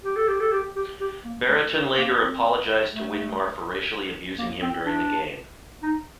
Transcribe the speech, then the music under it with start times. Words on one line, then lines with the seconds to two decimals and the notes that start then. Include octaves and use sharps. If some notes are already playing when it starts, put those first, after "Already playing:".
Brereton later apologised to Winmar for racially abusing him during the game.
0.04 G4
0.16 A4
0.28 G4
0.41 A4
0.52 G4
0.76 G4
1.00 G4
1.25 A#3
1.49 A3
1.98 A#3
2.22 C4
2.93 A3
4.38 A#3
4.62 C4
4.86 D4
5.83 D#4